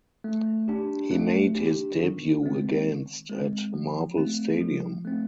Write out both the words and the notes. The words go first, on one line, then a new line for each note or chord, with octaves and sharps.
He made his debut against at Marvel stadium.
A3
D4 G4
A3
D4 G4
D#3
G#3 C4
D#3
G#3 C4
F3
A3 C4
F3
A3 C4